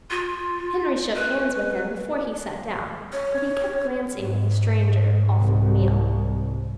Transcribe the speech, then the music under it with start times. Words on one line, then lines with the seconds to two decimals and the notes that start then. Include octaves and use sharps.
Henry shook hands with him before he sat down, but he kept glancing at the stranger all through the meal.
0.10 F4
1.15 B4
3.13 C#5
4.17 G#2
5.38 C2